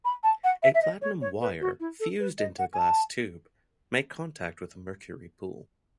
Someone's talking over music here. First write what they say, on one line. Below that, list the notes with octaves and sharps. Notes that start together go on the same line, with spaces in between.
A platinum wire, fused into the glass tube, made contact with the mercury pool.
B5
A5
F#5
E5
E5
D#5
C#5
C#5
B4
F#4
E4
A4
B4
D#5
F#5
G#5
A5